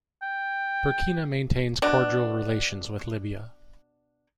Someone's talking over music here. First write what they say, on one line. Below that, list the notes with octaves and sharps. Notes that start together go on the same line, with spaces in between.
Burkina maintains cordial relations with Libya.
G5
B2 D4